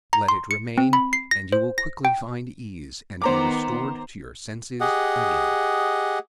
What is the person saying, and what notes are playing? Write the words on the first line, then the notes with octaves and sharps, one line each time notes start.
Let it remain and you will quickly find ease and be restored to your senses again.
A#5
C6
C#7
C4
B5
C7
A#6
C5
A#6
G5
D#3 B3 C5 A#5 D6
G4 G#4 D#5 F#5